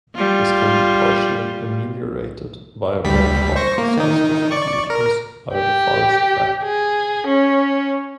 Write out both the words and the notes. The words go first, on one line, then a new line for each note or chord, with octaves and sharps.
This can be partially ameliorated via broad particle size distributions via the Farris effect.
G3 F4
D2 G3 B6
C5 C#6 A#6
A#3
D#3 D#4
D5 C#6
A#4
G4
G#4
C#4